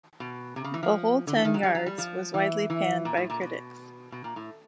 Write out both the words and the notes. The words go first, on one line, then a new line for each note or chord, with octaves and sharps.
"The Whole Ten Yards" was widely panned by critics.
B2
C3
C#3
E3
F3
D3
E3
D#3
F#3
G3
F#3
G3
F3
E3
E3
A#2
A2
A#2
B2
B2
A#2
A2